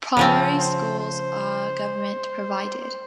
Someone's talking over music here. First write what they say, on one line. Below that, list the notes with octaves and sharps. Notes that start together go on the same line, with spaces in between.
Primary schools are government-provided.
C#3 F3 C4
C5
C5